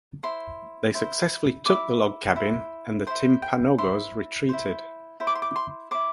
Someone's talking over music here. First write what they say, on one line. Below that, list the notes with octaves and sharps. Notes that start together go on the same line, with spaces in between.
They successfully took the log cabin, and the Timpanogos retreated.
E4 C5 C6
E4 C5
E4 C5 D6
E4 C5
E4 C5 C6
G5
E4 C5 C6
E4 C5
E4 C5
D6
C6
D6
C6
E4 C5 D6